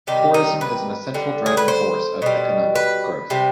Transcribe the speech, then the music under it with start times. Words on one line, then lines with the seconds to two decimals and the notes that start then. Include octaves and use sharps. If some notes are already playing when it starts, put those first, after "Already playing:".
Tourism is an essential driving force of economic growth.
0.07 C3 D#3 G3 G4
0.34 D#4
0.61 B4
1.14 D3 G3
1.46 G#4
1.57 B4
1.68 C5
2.22 B2 G3
2.75 B4
3.30 C3 G3